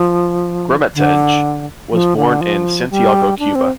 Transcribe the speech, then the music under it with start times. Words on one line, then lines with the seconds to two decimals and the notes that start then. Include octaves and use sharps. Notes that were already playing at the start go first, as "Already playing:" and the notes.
Gramatges was born in Santiago, Cuba.
Already playing: F3
0.94 D3
1.92 F3
2.17 D3
2.41 F3
2.90 G3
3.39 D4
3.55 C4